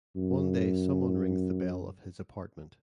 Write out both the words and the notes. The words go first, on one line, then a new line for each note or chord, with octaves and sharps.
One day someone rings the bell of his apartment.
F#2